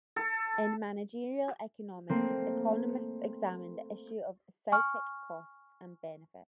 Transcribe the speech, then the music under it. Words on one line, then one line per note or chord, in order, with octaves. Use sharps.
In managerial economics, economists examine the issue of psychic costs and benefits.
A4
A3 A#3 C4
G#5 C#6 F6